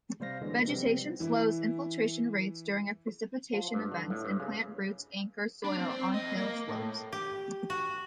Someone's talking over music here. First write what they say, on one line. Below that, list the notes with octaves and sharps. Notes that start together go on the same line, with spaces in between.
Vegetation slows infiltration rates during precipitation events and plant roots anchor soil on hillslopes.
C3 G3 C5 F5 A#6
B2 D3 E3 G#3 A#3
C3 F3 G3 B3 C4
E3 E4
F3
G2
D3
A2
G2
C#3
D4
C4
C4 C5
F2 D#5
A#3
A2
G4
F#4